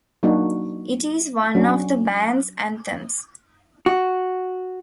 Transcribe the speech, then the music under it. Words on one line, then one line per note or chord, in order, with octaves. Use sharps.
It is one of the band's "anthems".
F#3 A#3 D4 D#4 F#4
F#3 C#4 D4 F#4
F#4